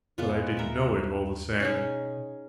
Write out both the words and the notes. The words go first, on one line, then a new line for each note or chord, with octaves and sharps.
But I didn't know it, all the same.
F2 G#3 B3 F4
D#2 A#4 E5
B2 C#4 D#4 G#4